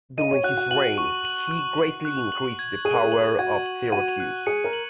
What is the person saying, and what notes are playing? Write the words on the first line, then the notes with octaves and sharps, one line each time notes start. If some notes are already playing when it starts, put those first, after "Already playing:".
During his reign, he greatly increased the power of Syracuse.
D#5 D#7
C#5
F#4 F#6
F#4
F#4 F#7
C#6
F#7
F#6
F#7
F#6
F#7
G#6
G#4 D#7
A#4
G#4
A#4 F#7
G#4
F#4 G#6
F#7
F#4 D#7
F#6
G#4 C#7
A#4
F#7